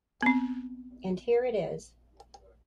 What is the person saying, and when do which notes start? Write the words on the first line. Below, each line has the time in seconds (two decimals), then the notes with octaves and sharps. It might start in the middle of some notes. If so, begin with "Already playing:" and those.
And here it is.
0.23 B3 C4